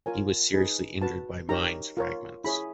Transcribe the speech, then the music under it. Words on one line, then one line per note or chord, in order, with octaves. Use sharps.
He was seriously injured by mines fragments.
F4 A#4 C#5 G#5
D#4 G#4 B4
F#4 B4 A5
D#4 G4 A#4 C#5 A#5
F4 A#4 C#5
E4 G#4 C#5 B5